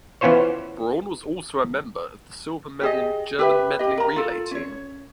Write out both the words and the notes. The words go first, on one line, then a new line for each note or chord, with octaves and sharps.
Braun was also a member of the silver medal German medley relay team.
E3 B3 C#4 F4 C5 C#5
G4 G#4 D#5
G4 B4 E5
G4 D#5
A#4 A#5
F4 A4
C#4 C#5